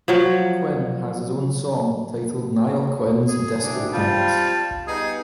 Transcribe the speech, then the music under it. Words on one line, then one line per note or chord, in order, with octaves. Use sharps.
Quinn has his own song titled "Niall Quinn's Disco Pants".
F3 F#3
G#4
G#2 C3 D4
G3 C4 F4 A5
G3 B3 D#4 G#4